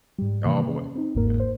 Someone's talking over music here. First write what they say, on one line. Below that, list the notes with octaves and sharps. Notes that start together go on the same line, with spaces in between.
Oh, boy. Yeah.
G#2 G3
C3 D#3 E3 A#3
C#4
C4 D#4
G1 E2 G#2 A#3 A#4
C5